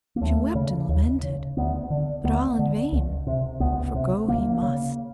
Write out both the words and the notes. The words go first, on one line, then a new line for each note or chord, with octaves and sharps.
She wept and lamented, but all in vain, for go he must.
A#3
D#2 A3
C#3
D#2
C#3
D2 B3
D3
D2 B3
D3
C#2
C3
C#2 B3
C3
D2 A#3
C#3